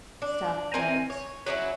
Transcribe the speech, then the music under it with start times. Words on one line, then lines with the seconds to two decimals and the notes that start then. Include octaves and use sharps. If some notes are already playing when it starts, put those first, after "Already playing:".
stuff that
0.22 D4
0.74 C4 A#4 D#5 G#5
1.10 C#5
1.46 F#3 C#4 D#4 E4